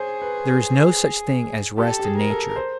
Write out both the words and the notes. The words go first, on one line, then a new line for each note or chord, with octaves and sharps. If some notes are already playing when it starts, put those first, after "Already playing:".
There is no such thing as rest in nature.
Already playing: G#4 C5 C#5
B4
G4 A4
G4
G#4
A#4
A4
C5